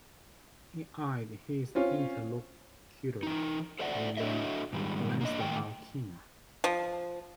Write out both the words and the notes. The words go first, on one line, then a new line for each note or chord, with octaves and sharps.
He eyed his interlocutor, and then glanced about him.
C4 C#4 F4 C#5
E3 D#4
A4 C5 D5 E5 F#5
D4 F#4 A4 C#5 D#5 E5
G#2 D#3 G3
A#3 D4 D#5
A2 D#3 G5
F3